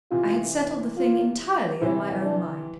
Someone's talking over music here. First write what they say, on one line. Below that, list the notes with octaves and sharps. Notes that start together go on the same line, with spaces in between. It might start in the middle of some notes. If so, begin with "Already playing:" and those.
I had settled the thing entirely in my own mind.'
C3 E3 F4
F4
C3 E3 E4
D4